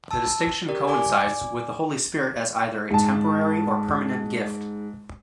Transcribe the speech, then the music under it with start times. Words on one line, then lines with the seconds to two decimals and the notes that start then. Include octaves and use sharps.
The distinction coincides with the Holy Spirit as either a temporary or permanent gift.
0.11 A5 E6
0.69 G4 A#4 D5
0.87 D5 G#5 D6
2.91 G#2 A5